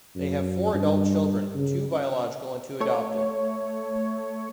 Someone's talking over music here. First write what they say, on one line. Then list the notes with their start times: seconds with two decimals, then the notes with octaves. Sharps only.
They have four adult children, two biological and two adopted.
0.16 F#2
0.74 G2
1.55 C#3
2.80 A3 C#5